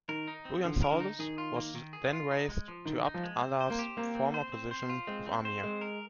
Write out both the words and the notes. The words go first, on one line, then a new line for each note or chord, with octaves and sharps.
Buyan Suldus was then raised to 'Abd Allah's former position of amir.
D#3 A#4
D#4
C4
D3 F3
A#4
D3
D#4
D#3 G#4
F4
A#3
D#3
G#4
F4
D#4
G#3
F3
D3 D#3
D#4
F3
G#3
C4
C5
A#3
G4
A#3 C4
C4
C5
C4
C5
F4
G#3 C4
C4
C5
G#3 C4
A#4